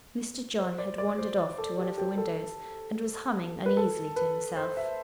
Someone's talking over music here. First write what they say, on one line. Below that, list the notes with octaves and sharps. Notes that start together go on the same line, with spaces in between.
Mr. John had wandered off to one of the windows and was humming uneasily to himself.
C5
D5
D5
C5
A4
G4
G4
A4
B4
A4
B4
C5
E5